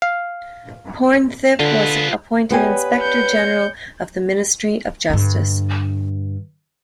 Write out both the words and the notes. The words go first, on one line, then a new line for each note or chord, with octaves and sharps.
Pornthip was appointed Inspector General of the Ministry of Justice.
F5
D3 F4 B4
B3 G4 B4 C#5 D5 G#5
G6 C#7
G2 D3